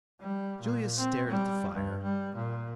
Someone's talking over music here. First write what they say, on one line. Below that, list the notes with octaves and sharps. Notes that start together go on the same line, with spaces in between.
Julius stared at the fire.
G3
A#2
C4
G3
G2
G3
A#2